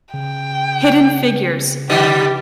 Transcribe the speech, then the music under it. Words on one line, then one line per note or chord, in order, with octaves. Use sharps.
Hidden Figures.
C#3 G5
D3 G3 G4 B4